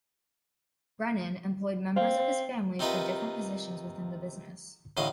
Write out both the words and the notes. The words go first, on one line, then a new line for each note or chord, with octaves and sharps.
Brennan employed members of his family for different positions within the business.
C4 F5
C3 D#4 F4 A#4 B4
A1 A2 D3 D#5 F5